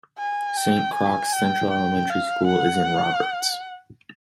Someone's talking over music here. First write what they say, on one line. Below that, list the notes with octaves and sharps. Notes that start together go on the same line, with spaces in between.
Saint Croix Central Elementary School is in Roberts.
G#5
G5
G#5
G5
G5
F5
F#5